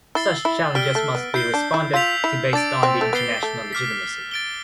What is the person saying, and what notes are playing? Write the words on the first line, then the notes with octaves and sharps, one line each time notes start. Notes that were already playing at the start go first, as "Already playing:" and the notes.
Such challenges must be responded to based on the international legitimacy.
E4 E6 A6 C7 G7
E4
G3 F6 B6 D7 G7
A3
B3
E4 G6 C7 G7
D4
E4
F4 E6 G6 B6 F7
E4
D4 D6 A6 D7
C4
A3
B3 A6 C7 G7
A3
D6 F6 B6
A6 D7 G7